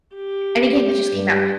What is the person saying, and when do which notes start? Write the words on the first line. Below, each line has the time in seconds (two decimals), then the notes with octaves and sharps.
any game that just came out,"
0.15 G4
1.13 G2